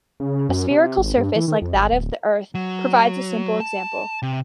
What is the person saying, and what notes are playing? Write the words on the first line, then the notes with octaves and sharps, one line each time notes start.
A spherical surface like that of the Earth provides a simple example.
C#3
F#2
C3
G#1
G2
E3
D#3
F2
G#1
D1
F#3
A5
C3